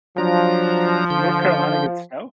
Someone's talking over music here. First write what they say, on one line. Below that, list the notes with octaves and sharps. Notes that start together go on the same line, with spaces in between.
North Carolina gets snow?
F3 F#3 D4 A#5
D3 G6